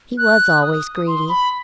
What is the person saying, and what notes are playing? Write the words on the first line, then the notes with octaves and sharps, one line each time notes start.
He was always greedy.
F#6
D#6
C6
B5